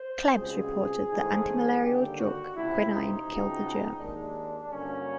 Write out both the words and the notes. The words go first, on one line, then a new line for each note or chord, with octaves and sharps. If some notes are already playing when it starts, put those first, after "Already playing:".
Klebs reported that antimalarial drug quinine killed the germ.
Already playing: C5
C#2 B2 G3 C4 G#4
G#2 E3 A3 C4
D#2 D3 G3 G4
F#4
C#2 C3 F3 E4
D#4
C#2 B2 G#3 C4
D#2 D#3 G#3 D4
G2 D3 F#3 A#3 C#4